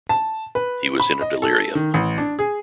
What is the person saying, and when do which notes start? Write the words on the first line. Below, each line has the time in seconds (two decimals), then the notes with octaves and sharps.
He was in a delirium.
0.09 A5
0.55 B4
1.00 B5
1.21 D#5
1.42 A4
1.75 D#3
1.94 A1
2.18 D4
2.39 G#4